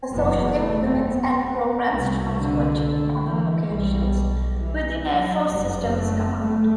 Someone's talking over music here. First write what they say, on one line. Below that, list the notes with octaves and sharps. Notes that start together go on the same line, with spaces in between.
Associate units and programs transferred to other locations within Air Force Systems Command.
F#1 E2 B2 B3
A3
B3
C2 B2 A3
D3
E3
B1 B2 G3
E3
F#3
F#1 F#2 G3
A3
A3